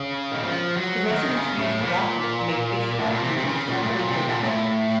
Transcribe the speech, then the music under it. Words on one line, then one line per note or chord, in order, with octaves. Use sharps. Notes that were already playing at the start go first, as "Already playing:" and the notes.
The residents used grasses to make fish traps in order to supplement their diet.
Already playing: C#3
D#3
F3
F#3
D#3
C3
C#3
A2
A#2
A2
A#2
C3
C3
C#3
A#2
A2
A#2
C3
A#2
A2